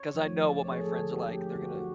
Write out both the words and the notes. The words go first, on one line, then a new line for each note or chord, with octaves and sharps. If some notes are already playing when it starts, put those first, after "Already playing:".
'cause I know what my friends are like. They're gonna
Already playing: C#5
F3 A3
D3 D5
C#5
F3 A3 G#4
A4
D3
G4
F3 A3 G4
D3 F#4
F#4